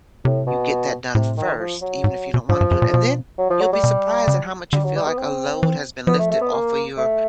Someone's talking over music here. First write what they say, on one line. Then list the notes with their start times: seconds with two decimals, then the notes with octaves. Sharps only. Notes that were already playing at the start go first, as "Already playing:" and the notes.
you get that done first even if you don't wanna do it, and then you'll be surprised at how much you feel like a load has been lifted off of your
0.25 A2 C3
0.47 B2
1.15 A2 C3
1.37 D#3
1.60 F3
1.82 F#3
2.04 G#2
2.34 B2
2.49 G#2 F3
2.61 G2
2.71 F#2
2.82 A#2
2.94 B2
3.38 F#3
3.50 F3
3.61 F#3
3.73 G3
3.84 B2
4.28 C#3
4.73 D3 G3
4.84 F#3
4.96 G3
5.07 B3
5.17 C4
5.63 E3
6.07 F3 B3
6.19 A3
6.30 A3
6.41 B3
6.52 A#3
6.98 A3